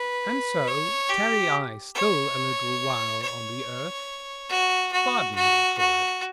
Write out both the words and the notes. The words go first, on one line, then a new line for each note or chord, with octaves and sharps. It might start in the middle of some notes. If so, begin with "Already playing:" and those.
And so tarry I still a little while on the earth--pardon me for it!
Already playing: B4
C#5
G4
C#5
C#5
F#4
F#4
F#4
F#4